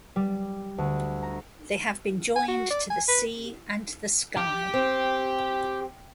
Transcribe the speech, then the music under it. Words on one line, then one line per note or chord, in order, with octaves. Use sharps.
They have been joined to the sea, and the sky.
G3
D2
A#5
G#5
F#4
D5
G#5
B4
G4
C4